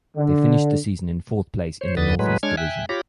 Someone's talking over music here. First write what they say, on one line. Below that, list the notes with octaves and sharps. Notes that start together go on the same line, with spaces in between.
They finished the season in fourth place in the "Northeast Division".
D3
C5 C#5
D#2 D3 B4 D#6 A6
A2 F#3 G#3 B4
G#3 D4 C#5 F6 G#6
E5 G5 G#5 F#6
F4 G4 C#5 B5 D6 A#6